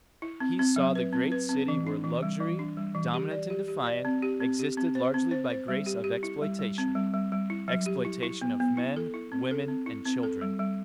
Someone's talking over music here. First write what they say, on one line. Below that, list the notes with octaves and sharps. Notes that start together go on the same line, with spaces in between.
He saw the great city where luxury, dominant and defiant, existed largely by grace of exploitation-- exploitation of men, women and children.
E4
C4
C4
F#3
B4
C4
B4
C4
E3
D4
E3
G3
E3
D4
G3
E3
G4
D5
G4
G4
D5
C4
G4
C4
G4
C4
C5
C4
C5
C5
G3
G4
G4
E4
G3
G3
C4
G3
G3
G3
E4
F#3
G4
E4
E4
B3
B3
E4
A4
E4
C4
A4
C4
E4
C4
A4
G3
G3